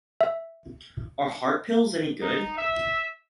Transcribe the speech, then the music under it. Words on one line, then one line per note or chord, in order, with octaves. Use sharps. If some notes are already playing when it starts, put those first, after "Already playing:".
Are heart pills any good?
E5
D#4
E5